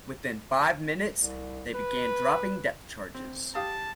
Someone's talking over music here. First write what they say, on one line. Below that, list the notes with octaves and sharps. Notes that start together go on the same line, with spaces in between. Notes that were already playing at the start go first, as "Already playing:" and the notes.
Within five minutes, they began dropping depth charges.
C2
B4
C4
G4 F5 A5 D#6